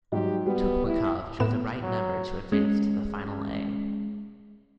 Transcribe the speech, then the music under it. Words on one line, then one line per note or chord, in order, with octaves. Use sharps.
Tukmakov drew the right number to advance to the Final A.
G#2 F#3 G3 G4
G3 B3
E4
A2 B3 E7
F#3
G#3 C#4